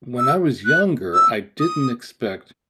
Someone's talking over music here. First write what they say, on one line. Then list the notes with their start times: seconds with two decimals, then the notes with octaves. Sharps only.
When I was younger, I didn't expect,
0.18 E6
0.65 F#6
1.14 E6
1.60 D#6